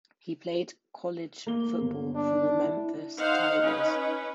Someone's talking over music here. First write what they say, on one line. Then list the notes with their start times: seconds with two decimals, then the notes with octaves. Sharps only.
He played college football for the Memphis Tigers.
1.47 A#3 G7
1.81 G1
2.16 D4
2.62 E4
3.17 D#4 C5 F5 F#5
3.61 C#4 B4